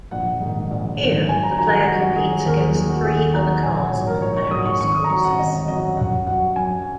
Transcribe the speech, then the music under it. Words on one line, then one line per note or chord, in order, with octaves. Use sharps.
Here the player competes against three other cars on various courses.
A#1 F#5
G#2 D#3
A#1
G#2 D#3
F#2 G#5
A#5
D#3 F#3 A#5
G#5
F#2 F#4
F#4
D#3 F#3 G#4
G#4
D#2 A#4
G#4
D#3 F#3 G#4
F#4
D#2 G#4
D#3 F#3 A#5
A#1 G#5
F#5
G#2 F#3 C#5
A#4
A#1 C#5
C#6
G#2 F#3 D#6
C#6
G#1 C#6
D#6
A#5
F#2 F#3 C#6
F#5
G#1 D#5
F#2 F#3 D#5
F#2 F#5
F#3 F#5
F#2 G#5